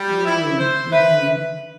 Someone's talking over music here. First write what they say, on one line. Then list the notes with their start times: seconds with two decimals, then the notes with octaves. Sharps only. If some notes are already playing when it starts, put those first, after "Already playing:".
Mm, mhm.
Already playing: G3
0.25 E4
0.59 C5
0.92 B4 E5